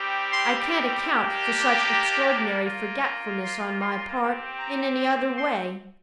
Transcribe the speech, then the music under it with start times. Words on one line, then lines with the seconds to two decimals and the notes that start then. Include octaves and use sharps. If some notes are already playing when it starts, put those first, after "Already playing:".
I can't account for such extraordinary forgetfulness on my part in any other way.
Already playing: G3 C4 G4
0.32 C6
1.09 A#3 D4 G4
1.87 A#5
2.64 A#3 F4
3.03 A#5
3.42 C6
3.81 C6
4.20 C4 G4
4.59 A#5
5.36 C6